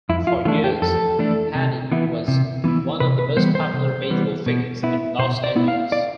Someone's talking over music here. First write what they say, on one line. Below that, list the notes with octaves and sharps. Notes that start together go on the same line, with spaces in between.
For years, Haney was one of the most popular baseball figures in Los Angeles.
F2 E4
F4
E3 A3 D4 F4
G4
F2 A4
E3 A3 D4
C3
E3 B3 E4
C3
E3 B3 E4
C3 B4
B4
E3 G3 B3 C5
C5
C3
E3 G3 B3
B2
B3 E4
B2 C5
D5
B3 E4
F5
D5